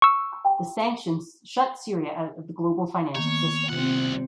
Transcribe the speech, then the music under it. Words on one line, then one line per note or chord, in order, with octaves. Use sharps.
The sanctions shut Syria out of the global financial system.
C#6 E6
D#3 A#3 B3 C#5
C2 C3 C4 F4 F#5